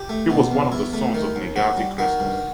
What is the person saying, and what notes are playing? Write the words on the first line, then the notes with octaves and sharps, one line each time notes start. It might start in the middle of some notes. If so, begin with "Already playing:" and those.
He was one of the sons of Negasi Krestos.
Already playing: G4
A3
B2
E2
E2 E4
A3
D#3
D#2
D#2 F#4
G3
D#3 F#4
G2